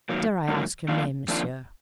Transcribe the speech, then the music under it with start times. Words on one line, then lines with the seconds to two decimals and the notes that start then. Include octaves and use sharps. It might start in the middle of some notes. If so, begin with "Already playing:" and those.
Dare I ask your name, monsieur?'
0.09 G#2 D#3 F#3 A#3
0.48 G#2 D#3 F#3 A#3
0.88 F2 D#3 A#3 D4 F4
1.28 F2 D#3 A#3 D4 F4